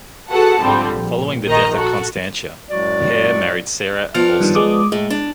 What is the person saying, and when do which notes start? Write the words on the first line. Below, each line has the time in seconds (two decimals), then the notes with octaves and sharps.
Following the death of Constantia, Hare married Sarah Alston.
0.30 F#4 G#4 A4 B4 F#5 A5
0.62 G#2 D3 F3 G3 C4
0.91 A#1
1.46 A#1 D#3 D#5 A#5
1.75 F#4 A4
2.69 F#2 A2 F#3 G#3 F#4 D5
4.14 F3 B3 D5 F6
4.41 G2 D#3
4.55 G#3 D6 D#6
4.92 A2 G#3
5.10 D4